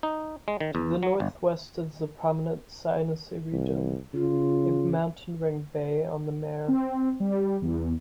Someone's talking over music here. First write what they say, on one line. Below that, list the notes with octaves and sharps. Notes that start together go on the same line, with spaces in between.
To the northwest is the prominent Sinus Iridum, a mountain-ringed bay on the mare.
D#4
G#3
D#3
E2
F#3
G1
C2
C#3 F4
C4
G3
E2